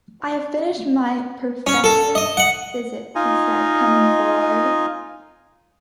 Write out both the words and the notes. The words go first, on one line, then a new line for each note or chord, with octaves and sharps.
"I have finished my professional visit," he said, coming forward.
C#4
A4
D#5
F#5
D#4 F4 D#5 G#5